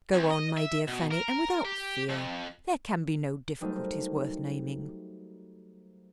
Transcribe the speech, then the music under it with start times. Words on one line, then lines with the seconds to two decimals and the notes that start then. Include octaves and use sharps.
Go on, my dear Fanny, and without fear; there can be no difficulties worth naming.
0.13 C2
0.31 D#5
0.57 E5
0.88 B2
1.11 A#4
1.65 G4
2.09 F2
3.61 F#3 G3 A3 D#4 A#4 C5